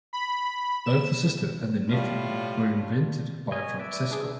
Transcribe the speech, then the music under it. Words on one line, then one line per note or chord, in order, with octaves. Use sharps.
Both the sister and the nephew were invented by Francesco.
B5
E7
A2 G3 F4
C#5 D#5 G#5
B4 D5 E5
D#7
D4 G#4